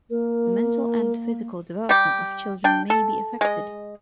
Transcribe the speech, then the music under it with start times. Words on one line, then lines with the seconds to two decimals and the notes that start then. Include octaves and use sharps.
The mental and physical development of children may be affected.
0.10 A#3 A#4
1.89 G3 G4
2.64 D4 G5
2.90 A4
3.41 G#3 D#5